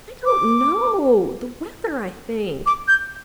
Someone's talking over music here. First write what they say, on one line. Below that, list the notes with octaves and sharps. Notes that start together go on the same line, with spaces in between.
'I don't know--the weather, I think.
D6
D6
G6